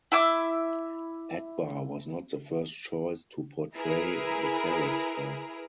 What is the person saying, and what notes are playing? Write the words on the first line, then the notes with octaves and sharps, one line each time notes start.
Akbar was not the first choice to portray the character.
E4 E5 D6
E4 G#4 A#4 B4